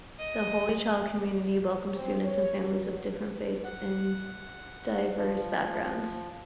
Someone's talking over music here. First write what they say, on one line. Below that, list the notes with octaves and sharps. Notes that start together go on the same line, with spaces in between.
The Holy Child community welcomes students and families of different faiths and diverse backgrounds.
D#5
C4
C#5
F#3
F#5
F3